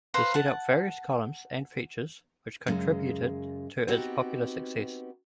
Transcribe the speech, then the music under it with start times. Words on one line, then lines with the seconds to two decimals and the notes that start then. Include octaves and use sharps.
He set up various columns and features, which contributed to its popular success.
0.14 B4 C5 F5 A#5
0.34 F#5 A5
2.67 F#2 C#3 G#3
3.88 B3 C4 D#4 F#4 G4